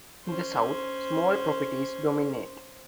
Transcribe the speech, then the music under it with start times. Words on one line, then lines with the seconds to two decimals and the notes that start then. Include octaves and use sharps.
In the south, small properties dominate.
0.25 C#4 C5